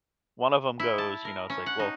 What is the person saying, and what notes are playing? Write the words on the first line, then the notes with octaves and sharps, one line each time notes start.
one of them goes, you know, it's like, "Well,
E4
A5
A#4
C#4
F#5
D#4